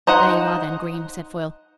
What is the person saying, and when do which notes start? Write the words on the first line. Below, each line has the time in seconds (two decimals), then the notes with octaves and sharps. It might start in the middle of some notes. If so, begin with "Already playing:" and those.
"There you are, then, Green," said Foyle.
0.07 D#4 C5 D#5 F#5 A#5